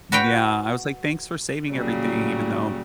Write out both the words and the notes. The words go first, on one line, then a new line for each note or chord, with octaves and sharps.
Yeah, I was like, "Thanks for saving everything," even though
F#4 B4 F5 G5
A#2 C#3 F#3 G3